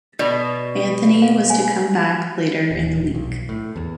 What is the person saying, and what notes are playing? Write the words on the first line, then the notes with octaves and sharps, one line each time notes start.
Anthony was to come back later in the week.
B2 D5
F5
C5 G#5
D#1
B1
A2
E2